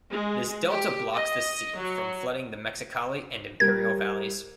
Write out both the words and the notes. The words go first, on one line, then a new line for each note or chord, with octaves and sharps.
This delta blocks the sea from flooding the Mexicali and Imperial Valleys.
G#3
G4
D#5
F#3
G3 A#4 G#6